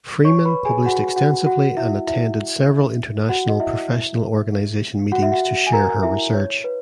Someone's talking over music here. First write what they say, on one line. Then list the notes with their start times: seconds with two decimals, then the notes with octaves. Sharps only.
Freeman published extensively and attended several international professional organization meetings to share her research.
0.24 C#5 C#6
0.45 B4 B5
0.65 G#4 G#5
0.86 F#4 F#5
1.16 F#4 F#5
1.46 F#4 F#5
1.77 E4 E5
2.07 E4 E5
3.29 F#4 F#5
3.48 D#5
3.60 E4 E5
5.12 F#4 F#5
5.23 E5
5.32 F#4 F#5
5.67 G#5
5.73 A#4 A#5
6.03 E4 E5
6.34 C#5
6.64 B4